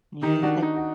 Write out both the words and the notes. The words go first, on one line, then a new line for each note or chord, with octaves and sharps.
Yeah, I
D#3 D#4 G4
D4 F#4
D#4
F#4